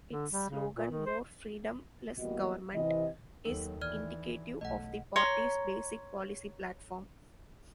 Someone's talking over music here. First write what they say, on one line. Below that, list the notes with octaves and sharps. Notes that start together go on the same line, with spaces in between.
Its slogan, "More Freedom, Less Government", is indicative of the party's basic policy platform.
D3
G3
C#3
A#2
D#3
C5
E3 G3 A#3 B3 F#4 D#5
C3 E3 D#5
D#2 D#3 F#3 A4
E3 D5 F6 G#6
B1 A3 D#5 F#5
C#5 A#5 C6